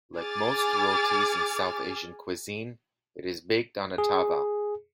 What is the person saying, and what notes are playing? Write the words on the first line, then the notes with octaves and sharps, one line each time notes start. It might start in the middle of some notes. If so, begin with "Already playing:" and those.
Like most rotis in South Asian cuisine, it is baked on a "tava".
G#4 G#5 D6 F6 A6
G#4